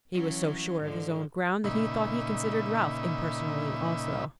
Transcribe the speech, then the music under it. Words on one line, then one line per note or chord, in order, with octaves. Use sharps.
He was so sure of his own ground that he thought he considered Ralph impersonally, also.
E3 F#3 C#4
G#2 D3 F3
A#2 C#3 D#4 E5 B5